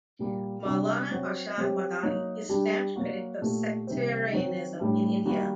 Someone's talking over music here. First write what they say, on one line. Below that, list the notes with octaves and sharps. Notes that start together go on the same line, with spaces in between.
Maulana Arshad Madani is a stanch critic of sectarianism in India.
A#2 G3 A#3
C3 G3 D4 F#4
F#3 C4 F#4
F#3 C4 G4
F#3 A#3 D#4
G3 D4 G4
F#3 A#3 F#4
A#2 A3 D#4 G4
C3 D#3 G3 C4
D#3 F#3 C4 F#4
A2 G3 D4
D#3 G3 A#3 F#4